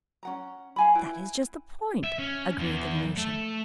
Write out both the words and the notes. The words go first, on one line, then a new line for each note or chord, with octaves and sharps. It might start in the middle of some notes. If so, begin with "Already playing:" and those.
"That is just the point," agreed the Venusian.
C#4 F#5 A#5
F5 G#5 B5
E4 B4 G5
E5
C#4
E2
A3